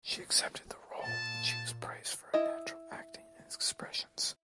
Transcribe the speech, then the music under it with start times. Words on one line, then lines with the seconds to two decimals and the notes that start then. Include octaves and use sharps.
She accepted the role and she was praised for her natural acting and expressions.
1.02 A#2 A5
2.34 E4 D#5